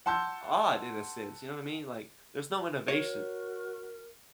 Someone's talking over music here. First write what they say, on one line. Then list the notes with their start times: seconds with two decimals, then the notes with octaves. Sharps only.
odd in a sense. You know what I mean? Like, there's no innovation.
0.06 F#5 A5 C6 E6 G6
2.88 F#4 A#4 C#5